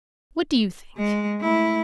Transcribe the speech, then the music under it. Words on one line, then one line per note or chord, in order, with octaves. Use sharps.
What do you think?'
G#3
A3 E4